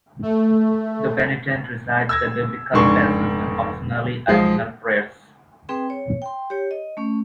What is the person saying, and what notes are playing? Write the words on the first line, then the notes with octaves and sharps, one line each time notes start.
The penitent recites a Biblical passage and, optionally, additional prayers.
A3
E6 G#6 A#6
F1 G#2 C#3 D4 C6 C#6
B1 F3 G#3 F4
C4 G#4 B4 G5 C6
C#5
G5 C6
G4 C#5
D#5
A3 C#4